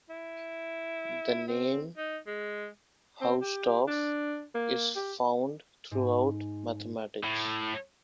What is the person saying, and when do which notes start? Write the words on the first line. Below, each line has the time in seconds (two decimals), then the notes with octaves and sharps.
The name Hausdorff is found throughout mathematics.
0.10 E4
1.48 C4
1.97 D#4
2.27 G#3
3.21 C4
3.42 G4
3.87 D4
4.55 A#3
4.96 G4
5.91 G#2
7.23 A2